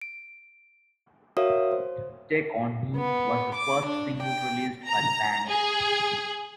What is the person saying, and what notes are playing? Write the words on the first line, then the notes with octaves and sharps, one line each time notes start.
"Take On Me" was the first single released by the band.
D7
F#4 A#4 C#5 E5 F5 D#6
C5
B3
D6
D4
G5
A#5
G#4